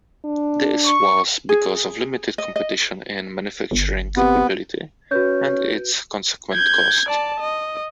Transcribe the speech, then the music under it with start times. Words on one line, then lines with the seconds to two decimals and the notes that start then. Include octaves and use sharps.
This was because of limited competition in manufacturing capability and its consequent cost.
0.25 D4
0.85 C#6
1.49 G#4
2.38 D#5
2.56 D#5
3.71 G1
4.16 C3 B3
5.11 C#4 F#4 B4 G6
6.53 G6 G#6
7.09 D5 A5
7.40 D#5